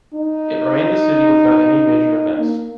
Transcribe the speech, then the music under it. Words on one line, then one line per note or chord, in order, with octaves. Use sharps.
It remained a city without any major events.
D#4
A#3